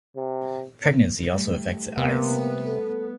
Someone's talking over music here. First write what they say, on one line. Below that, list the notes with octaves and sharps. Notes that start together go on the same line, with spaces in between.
Pregnancy also affects the eyes.
C3
G3 A3
C3 A#3 B3
A4